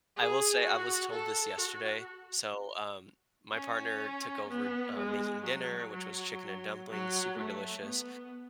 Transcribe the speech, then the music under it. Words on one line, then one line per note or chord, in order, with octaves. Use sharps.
I will say I was told this yesterday. So, um, my partner took over, uh, making dinner, which was chicken and dumplings, super delicious
G#4
F#4
A4
F#4
C#4
B3
G#3
F#3
F#3
F#3
A3
B3